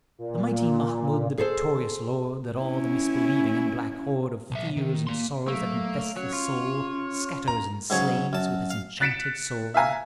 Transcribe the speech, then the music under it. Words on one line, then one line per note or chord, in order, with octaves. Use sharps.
The mighty Mahmud, the victorious Lord, That all the misbelieving and black Horde Of Fears and Sorrows that infest the Soul Scatters and slays with his enchanted Sword.
A#2
G#4 A4 C5
C#4 E4
B1 E5
D#3
A#3 C6
F#3 A3 A#3
F#3 C#4 C#5
F4
A#5
G#2 C#3 F#3 G#4 C#5
F#2 A5
F5
F#6 A6 B6 C#7 D7 E7
E5 F5 G#5 A#5